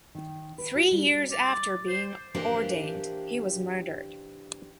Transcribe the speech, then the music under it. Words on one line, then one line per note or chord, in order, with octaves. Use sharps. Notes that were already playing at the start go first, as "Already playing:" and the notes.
Three years after being ordained, he was murdered.
D#3
B4
F#4
G3
D5
C5
E3 A#3 D4 G4 C5